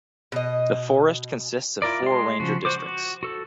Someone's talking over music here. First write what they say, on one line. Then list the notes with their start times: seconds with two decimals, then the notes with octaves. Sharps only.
The forest consists of four ranger districts.
0.32 B2 D#5
1.82 E4 F4 A#4 D5
2.03 G#3 C6
2.40 C#3 F3 F#4
2.65 F#4 C5 D6
2.78 F#4
3.23 F#4 A4